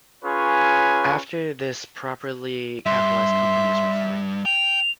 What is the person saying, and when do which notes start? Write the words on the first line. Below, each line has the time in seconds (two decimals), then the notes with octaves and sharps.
After this properly capitalised companies were formed.
0.24 C#4 F4 G#4 B4 C#5 G#5
2.86 G2 E5 C6
4.45 G5 F7